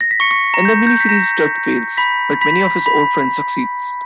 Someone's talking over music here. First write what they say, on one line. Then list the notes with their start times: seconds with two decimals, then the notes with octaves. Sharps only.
In the mini-series Studs fails, but many of his old friends succeed.
0.01 A#6
0.11 B6
0.20 C#6 C#7
0.31 C#6 C#7
0.54 A#5 A#6
0.65 G6
0.87 G6
1.00 B6
1.09 A#5 A#6
1.97 B5 B6
2.41 B5 B6
2.86 B5 B6